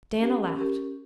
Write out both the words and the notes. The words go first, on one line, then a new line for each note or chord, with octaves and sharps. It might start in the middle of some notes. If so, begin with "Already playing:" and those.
Diana laughed.
C#4 G4 A#4
C#4 G4 A#4